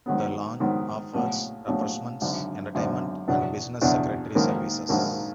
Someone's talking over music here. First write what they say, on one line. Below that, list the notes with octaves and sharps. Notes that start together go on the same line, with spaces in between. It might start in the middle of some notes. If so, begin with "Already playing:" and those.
The lounge offers refreshments, entertainment and business secretary services.
G#2 D#3 F#3 B3
G#2 D#3 F#3 B3
A#1 A2 F#3 B3
A#1 A2 F#3 B3
G#1 F#2 D3
G#1 F#2 D3
E2 B2 F#3 B3 D4
E2 B2 F#3 B3 D4
A#1 G#2 D#3 F#3 A#3
A#1 G#2 D#3 F#3 A#3